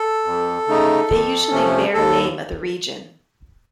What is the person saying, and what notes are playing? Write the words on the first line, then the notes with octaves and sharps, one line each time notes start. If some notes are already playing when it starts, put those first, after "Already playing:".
They usually bear name of the region.
Already playing: A4
F2
C#3 A3 D#4
F2
C3 F3 A3 C#4
D#2 A4